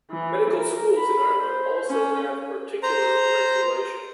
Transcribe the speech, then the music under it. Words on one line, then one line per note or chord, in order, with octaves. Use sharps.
Medical schools in Ireland also have particular regulation.
E3
A#4
B5
C5
C#4
C5 A#5